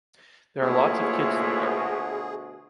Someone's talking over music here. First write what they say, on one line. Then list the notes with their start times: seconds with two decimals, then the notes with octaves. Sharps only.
There are lots of kids in the garden.
0.61 D2 B2 A3 A#3 E4 F4 G#4 C#5